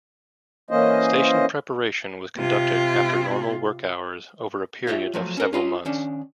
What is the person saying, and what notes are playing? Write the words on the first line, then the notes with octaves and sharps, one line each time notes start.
Station preparation was conducted after normal work hours over a period of several months.
E3 A#3 C#4 C5 D#5
C3 F4
F4 G4 C#5 E5
F3 F#3 A3
C#4 A#4
C#4 F4 D#5
D#3 C#4 D4